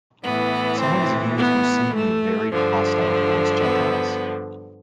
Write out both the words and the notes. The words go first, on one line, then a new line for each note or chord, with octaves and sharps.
Some of his views were seemingly very hostile towards gentiles.
A2 E3 B3
C4
B3
A3
G2 D3 F3
B3